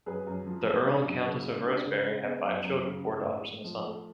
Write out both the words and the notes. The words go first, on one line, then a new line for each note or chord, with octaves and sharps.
The Earl and Countess of Rosebery have five children, four daughters and a son.
F#2 G#4 B4
F#2
F3
G#3
D4
F#2
C#3
G#3
D4
C#3
G#3
B3
F#2
F#2
C#3
G#3
A2
A2
F3
A3